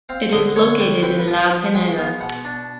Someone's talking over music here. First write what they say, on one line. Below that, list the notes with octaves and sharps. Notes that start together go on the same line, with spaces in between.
It is located in La Pineda.
C4 F5
D3 D#5
D3 C#5
G3
C4 B4
B4
F3
F5
F3
G#3 G5
B3 F5
B2 F#5
D4